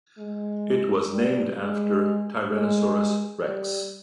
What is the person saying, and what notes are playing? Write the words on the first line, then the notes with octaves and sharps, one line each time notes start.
It was named after "Tyrannosaurus rex".
G#3
G3
G#3
G#3
G3